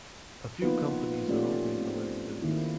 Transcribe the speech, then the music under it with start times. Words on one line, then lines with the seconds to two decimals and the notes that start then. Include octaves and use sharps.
A few companies are only in the lens business.
0.62 F3 A#3 B3 D#4 F4 B4
1.28 A3 A#3 C#4 F4 G4 D5
1.79 C4
2.42 D#3 A#3 E4